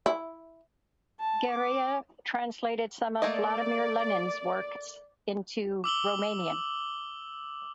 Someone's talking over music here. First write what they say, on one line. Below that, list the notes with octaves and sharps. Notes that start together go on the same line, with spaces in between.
Gherea translated some of Vladimir Lenin's works into Romanian.
E4
A5
D6
A3 A#3 D5 D#5
D6 E6 F#7 G7